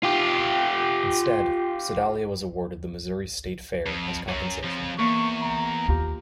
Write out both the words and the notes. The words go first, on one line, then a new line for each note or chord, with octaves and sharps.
Instead, Sedalia was awarded the Missouri State Fair as compensation.
F4 G4
F2
F#2 C#5
F2 F3
E2 A#3 C#6
A#5
D#2 F4 G4